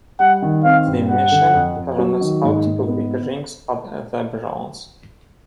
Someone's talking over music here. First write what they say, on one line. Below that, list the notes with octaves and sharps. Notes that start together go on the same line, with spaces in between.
The mission turns out to be drinks at The Bronze.
G3 F#5
D#3
C4 F5
G2
G3 F#5
D3
F2
F2
F#3
D#3
G#2
G#2
B3